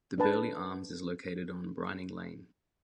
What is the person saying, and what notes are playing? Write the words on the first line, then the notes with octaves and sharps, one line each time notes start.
The Birley Arms is located on Bryning Lane.
D4 A4 B4 A5